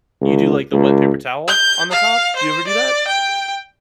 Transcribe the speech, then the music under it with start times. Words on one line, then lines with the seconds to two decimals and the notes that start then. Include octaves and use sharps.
you do, like, the wet paper towel on the top, do you ever do that?
0.21 C#2
0.72 C#2
1.48 G6
1.92 F5
2.36 C5
2.67 D5
3.08 G5